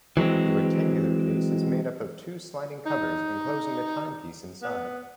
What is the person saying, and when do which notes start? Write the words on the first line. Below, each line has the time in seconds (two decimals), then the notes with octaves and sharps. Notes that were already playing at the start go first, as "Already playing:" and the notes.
The rectangular case is made up of two sliding covers enclosing the timepiece inside.
0.17 E3 F#3 G#3 C4
2.86 D#4
4.62 B3